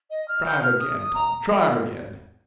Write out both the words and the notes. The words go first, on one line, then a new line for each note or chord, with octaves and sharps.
'Try 'em again, Tom; try 'em again.'
D#5
F6
G6
F6
D#6
D#6
A#5